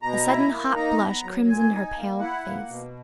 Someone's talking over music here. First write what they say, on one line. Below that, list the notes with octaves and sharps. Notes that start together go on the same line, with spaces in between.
A sudden, hot blush crimsoned her pale face.
B2 A#5
E4
A#3
D#4 A#5
B3
F#3
A#2 G#5
D#4
A#3
E4 F#5
A#3
B2